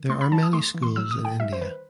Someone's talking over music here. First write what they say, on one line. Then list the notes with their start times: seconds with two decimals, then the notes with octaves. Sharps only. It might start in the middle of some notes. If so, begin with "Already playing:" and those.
There are many schools in India.
Already playing: D#3
0.09 A3 C6
0.21 B5
0.32 F#3 A5
0.43 D#6
0.53 A3 C6
0.74 E3
0.83 C6
0.96 F#3 E6
1.11 D#6
1.18 D#3
1.25 G5
1.40 G3 E5
1.53 C5
1.62 D#3 B4